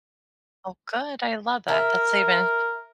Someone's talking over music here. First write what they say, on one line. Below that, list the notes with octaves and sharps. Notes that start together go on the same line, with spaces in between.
Oh, good, I love that. That's even
A#4 E5